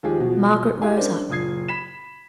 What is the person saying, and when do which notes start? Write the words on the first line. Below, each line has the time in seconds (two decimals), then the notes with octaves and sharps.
Margaret rose up.
0.03 D#2 F3 G#3 G4 G#4
0.20 B2 F3 F#3
0.82 E4 G4 D#5 F5 G#5
0.97 C#4 D4 A#4 C5 D5
1.29 F#1 A#2 D#6 G#6 C7
1.68 B5 B6 E7